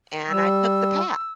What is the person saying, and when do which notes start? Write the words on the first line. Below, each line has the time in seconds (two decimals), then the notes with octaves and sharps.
and I took the path.
0.29 G3 E6